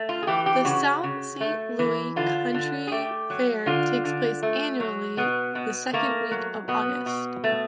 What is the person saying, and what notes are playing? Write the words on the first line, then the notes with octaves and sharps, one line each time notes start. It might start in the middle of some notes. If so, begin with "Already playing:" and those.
The "South Saint Louis County Fair" takes place annually the second week of August.
Already playing: A3
F4
G#4
E3 G4
G4
C#3 F#4
C#3
A3
E3
D3 F4
D3
G#4
A3 G4
F#3
D3 F4
D3
A3
F#3
B2 B3
B2
A3 A#3
F#3
B2 B3
B2
A3